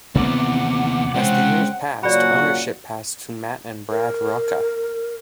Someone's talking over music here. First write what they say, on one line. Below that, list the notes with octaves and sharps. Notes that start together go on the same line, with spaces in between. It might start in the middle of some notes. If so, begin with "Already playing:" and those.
As the years passed, ownership passed to Matt and Brad Rocca.
D#2 C3 E3 B3 C4 F#5 D6
G#3 C#4 C5 F#5 G5
A#2 C#3 F#3 F#4 D5 F#5 B5
A#4